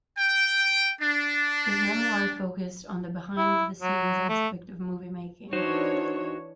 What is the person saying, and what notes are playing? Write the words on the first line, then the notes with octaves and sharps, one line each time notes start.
His memoir focused on the behind the scenes aspect of moviemaking.
G5
D4
E4
F#3
A3
E3 D4 D#4 F#4 C5 C#5